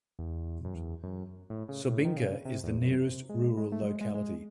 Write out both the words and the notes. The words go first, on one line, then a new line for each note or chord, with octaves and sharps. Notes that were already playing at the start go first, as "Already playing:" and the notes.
Sobinka is the nearest rural locality.
E2
F#2
E2
F#2
A2
C#3
A2
D#3
C#3
C3
E2
F#2
C3
G#3
G#3
A3
F#3
G#3
G#3
G#3